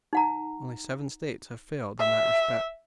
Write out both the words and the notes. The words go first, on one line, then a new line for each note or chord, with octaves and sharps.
Only seven states have failed in that respect.
D#4 F#5 A#5
E5